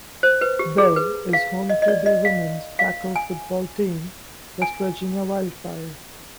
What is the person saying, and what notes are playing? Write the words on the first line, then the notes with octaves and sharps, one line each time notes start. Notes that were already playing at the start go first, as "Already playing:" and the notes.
Belle is home to the women's tackle football team West Virginia Wildfire.
C5
B4
G4
G#4
B4
F5
D#5
D#5
D5
D#5
F5
F5
G#5
G#5